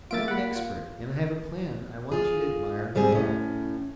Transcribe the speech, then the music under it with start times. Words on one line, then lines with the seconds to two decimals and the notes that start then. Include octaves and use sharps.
I am an expert and I have a plan I want you to admire and develop.
0.11 A#3 F4 E5 A6 D7
0.28 F#5 B5
0.56 F4
2.12 F4 G#4
2.95 G#2 G3 C4 G#4 G#5
3.12 A2 C#4